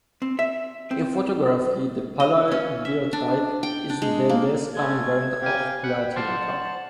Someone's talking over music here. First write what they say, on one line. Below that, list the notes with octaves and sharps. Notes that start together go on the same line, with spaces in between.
In photography, the "palladiotype" is a less-common variant of the platinotype.
C4
E5
C4
D#5
C#4
E5
D4
G5
D4
G#3
A#3
G#3 A3 C#4 G#6
C3 G4 F5 G5 G#5
F#5 G5 B5
C5 D5 F5 F#5 A5